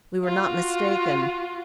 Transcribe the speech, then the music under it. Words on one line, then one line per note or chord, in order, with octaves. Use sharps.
We were not mistaken.
F4 F#4